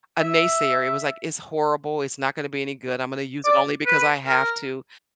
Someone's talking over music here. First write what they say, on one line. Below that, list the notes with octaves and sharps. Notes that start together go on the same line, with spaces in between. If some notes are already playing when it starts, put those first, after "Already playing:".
a naysayer, he was like, "It's horrible, it's not gonna be any good, I'm gonna use it only because I have to."
E5
D5
B4
A#4